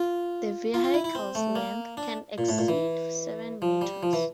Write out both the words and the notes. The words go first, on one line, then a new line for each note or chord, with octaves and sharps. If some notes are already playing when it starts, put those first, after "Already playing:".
The vehicle's length can exceed seven meters.
Already playing: F4
F4
F4
E4
E4
C4
A3
A#3
D4
A#2
A2
A#2
E3
F3
G3
F3
E3